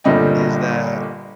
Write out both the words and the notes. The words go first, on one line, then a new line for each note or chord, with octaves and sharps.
is that
G1 A#2 D3 G3 D#5 G5